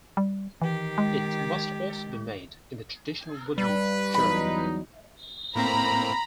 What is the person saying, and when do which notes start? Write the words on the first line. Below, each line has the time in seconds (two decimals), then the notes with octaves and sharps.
It must also be made in the traditional wooden 'gerle'.
0.17 G3
0.62 D#3 E3 G4
0.98 G#3
3.58 G2 G3 B4
4.14 E2 F#3 D#4 B5
5.56 A2 A#3 C4 A#5 B5